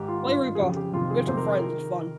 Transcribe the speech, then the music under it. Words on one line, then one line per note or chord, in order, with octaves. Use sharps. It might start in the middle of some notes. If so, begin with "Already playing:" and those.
Play Repo, with some friends, it's fun.
Already playing: G#2 D#3 G4
F4
G2 D#3 F4
G#4
F2 C#3 G4
G4
F2 C3 D#3 F4
G#4
F2 C3 D#3 C5
A#4
G#4
D#3 A#4